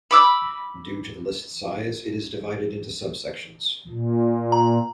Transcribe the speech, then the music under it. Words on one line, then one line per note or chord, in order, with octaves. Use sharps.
Due to the list's size, it is divided into subsections.
B5 D6 E6
A#2
A#5